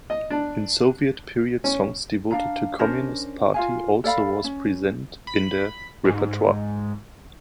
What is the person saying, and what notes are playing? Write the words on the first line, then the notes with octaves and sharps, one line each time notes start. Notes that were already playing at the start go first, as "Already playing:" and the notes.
In soviet period songs devoted to Communist party also was present in their repertoire.
D#5
D4
C#4
D4 F5 A#5
C#4 D4 A#4 C5
F4 F5 G#5
A4 D5 F5 B5
C#4
B5
G#2